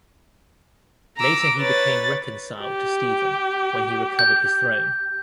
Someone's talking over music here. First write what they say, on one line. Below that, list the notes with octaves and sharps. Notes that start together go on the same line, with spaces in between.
Later he became reconciled to Stephen when he recovered his throne.
A#5 D6 E6
B4 C#5 A6
G4
G6